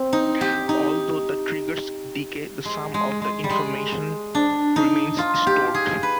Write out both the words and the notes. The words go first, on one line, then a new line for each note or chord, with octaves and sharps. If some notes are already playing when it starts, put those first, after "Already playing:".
Although the triggers decay the sum of the information remains stored.
Already playing: C4
D#4
G4
D#4
G#3
G#3
G#3
G3
G#3
D4
D#4
F4
G4
G#4
B4